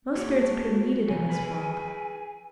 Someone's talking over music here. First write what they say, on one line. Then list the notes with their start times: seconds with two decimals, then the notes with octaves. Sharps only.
Most spirits appear to need it in this world.
0.15 A#3 F#4 G#4 C#5
1.08 C3 F3 F#3 G#5
1.29 G#4 B4